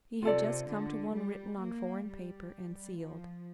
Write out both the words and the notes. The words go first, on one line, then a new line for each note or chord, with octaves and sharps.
He had just come to one written on foreign paper, and sealed.
C3 F4 A4 D5
D3
G3
A#3
G3
F3